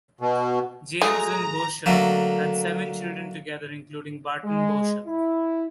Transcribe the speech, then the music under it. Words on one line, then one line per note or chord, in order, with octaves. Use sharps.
James and Boucher had seven children together, including Barton Boucher.
B2
G#3 A3 F#4 G#4 D#5 A#5
D3 F#3 A3 A#3
G#3
E4